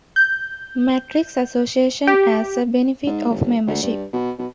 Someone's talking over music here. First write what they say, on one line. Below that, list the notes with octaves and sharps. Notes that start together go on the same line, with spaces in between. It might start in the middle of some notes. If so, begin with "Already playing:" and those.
Metric Association as a benefit of membership.
G6
G4
G#2
G1
D2
G2
B2
B2